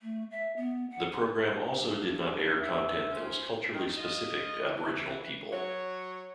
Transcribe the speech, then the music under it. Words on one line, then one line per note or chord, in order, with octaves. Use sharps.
The program also did not air content that was culturally specific to aboriginal people.
A3
E5
B3
F#5
G2
E5
C#4 F4 C5
D#3
F4 D#5
E3
F#3 C#5